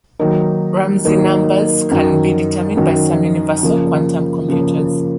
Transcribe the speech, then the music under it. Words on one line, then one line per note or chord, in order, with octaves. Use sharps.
Ramsey numbers can be determined by some universal quantum computers.
D#3 F#3 A#3 D#4
D#3 F#3 A#3 D#4
F#2 D#3 F#3
F#2 D#3 F#3
C#3 F3 A#3
C#3 F3 A#3